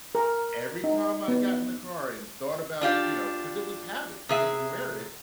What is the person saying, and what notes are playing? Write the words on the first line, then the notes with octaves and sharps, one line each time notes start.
Every time I got in the car and thought about, you know 'cause it was habit, you didn't wear it.
A#4
D#4
B3
D4 F4 G4
C3 G#4 E5